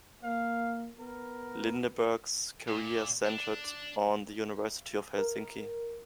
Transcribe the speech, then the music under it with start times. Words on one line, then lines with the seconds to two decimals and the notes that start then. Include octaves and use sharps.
Lindeberg's career centred on the University of Helsinki.
0.23 A#3 F5
1.00 B3 A#4
2.68 A#2
3.25 D4
5.18 A#4